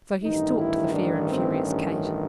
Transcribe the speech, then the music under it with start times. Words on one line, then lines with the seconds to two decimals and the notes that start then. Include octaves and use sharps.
So he stalked the fair and furious Kate.'
0.23 A1 G2 D#3 D#4
0.58 E4
0.94 D4
1.30 C4
1.67 C#4